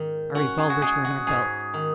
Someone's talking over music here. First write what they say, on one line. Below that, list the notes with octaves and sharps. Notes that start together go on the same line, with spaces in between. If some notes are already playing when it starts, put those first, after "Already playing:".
Our revolvers were in our belts.
Already playing: G#2 D#3
C#4 F#4
G#4
F#4
G#3 G#4
F#4
G#2 G#4
D#3